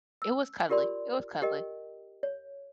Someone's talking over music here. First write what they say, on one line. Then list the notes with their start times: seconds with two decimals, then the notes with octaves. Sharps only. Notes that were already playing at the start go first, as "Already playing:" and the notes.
It was cuddly, it was cuddly.
0.22 E6
0.70 F4 G4 A#4 D5 C6
1.42 G4 A#4 D#5 G5
2.23 C#5